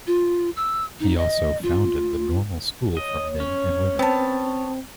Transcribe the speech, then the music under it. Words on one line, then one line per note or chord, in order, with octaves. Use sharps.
He also founded the Normal School for Men and Women.
F4
E6
D#4
D#5
F4
C#5 D#5
C#4
B3 C4 A5